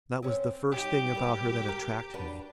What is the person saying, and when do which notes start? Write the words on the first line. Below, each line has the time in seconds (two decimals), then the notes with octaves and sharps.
That was the first thing about her that attracted me.
0.22 C4 C#4 C5
0.72 G3 D#4 G4
1.15 G3 C4 B4
1.69 A#4
2.14 D4 F#4 B4